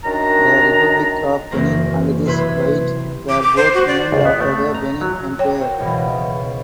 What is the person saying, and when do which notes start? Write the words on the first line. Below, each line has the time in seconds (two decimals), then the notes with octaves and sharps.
The Republic of Benin and this bight were both named after the Benin Empire.
0.04 F#2 D#3 D4 A#5
1.51 F#1 E3 F#3 A#3 C4 A#6
2.25 C3 C4 E4 B4 C6 G#6
3.29 D6
3.41 D6
3.57 C5
3.74 F#4
3.87 D5
4.12 C#2
4.25 B3
4.40 A3
4.75 A#5
5.01 F#3
5.39 C#5 G5
5.59 F#4 A#4 C5
5.79 C#2 B2 E3